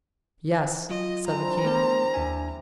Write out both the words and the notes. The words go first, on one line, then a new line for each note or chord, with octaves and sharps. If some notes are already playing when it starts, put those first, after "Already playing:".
"Yes," said the King.
F#3 F4 D#5
D3 E3 C4 A#5
G3 A3 B3 A#4 C5
D#2 D4 E5 G#5